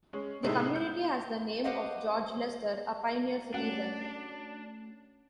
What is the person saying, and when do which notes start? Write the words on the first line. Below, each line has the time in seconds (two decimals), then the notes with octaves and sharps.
The community has the name of George Lester, a pioneer citizen.
0.13 G#3 C#4
0.43 A2 C3 G#3 A3 D#4 E4
0.76 G6
1.64 G4 B4 C5 D#5 F5 F#5
3.54 A3 C#4 D4 F#4 F#5